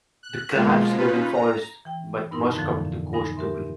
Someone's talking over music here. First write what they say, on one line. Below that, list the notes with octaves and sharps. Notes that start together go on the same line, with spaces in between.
The crabs live in forests but must come to the coast to breed.
F#6
B2 F3 G#3 A#3 F4
C#4 D#4 F4 B4
A#5
E3 G5
G2 B3 D#4 E4 A#4 C6
F2 A2 D3 E3 F3
D#4 G#5 B5 A#6
G4 A#4 E5 C6